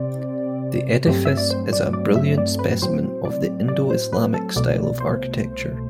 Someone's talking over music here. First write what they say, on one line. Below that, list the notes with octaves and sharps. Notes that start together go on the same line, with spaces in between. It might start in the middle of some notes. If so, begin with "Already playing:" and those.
The edifice is a brilliant specimen of the Indo-Islamic style of architecture.
Already playing: C3 C4 D5
G2 F#3 A3 C4 G4
E5
D5
C5
D5
D5
E5
D5
B4
A2 F#3 C4 C5
D5
D5
C5
B4
A4
C2 B2 A3 D5
C5